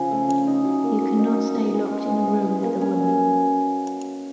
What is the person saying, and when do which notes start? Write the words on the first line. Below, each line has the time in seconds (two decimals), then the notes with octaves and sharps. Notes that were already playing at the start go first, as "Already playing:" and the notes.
You can not stay locked in a room with a woman.
Already playing: C#3 F3 C#4
0.11 A3
0.29 C#4
0.47 D#4
0.65 F#3
0.83 A#3
1.01 F#3
1.19 D#4
1.37 F#3
1.55 B3
1.73 E3
1.91 G#3
2.09 E3
2.27 B3
2.45 E3
2.63 A#3
2.81 C#4
2.99 F#3